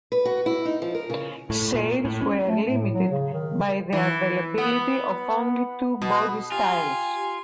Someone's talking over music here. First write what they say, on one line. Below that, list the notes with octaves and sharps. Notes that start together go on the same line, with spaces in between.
Sales were limited by the availability of only two body styles.
B4
F#4
E4
D#4
F3
A#4
C#3
A2
A#2
A2
C#4
A3
A2
F#3
C#3
D#3
E3
B3
B2
F4 G4 G#5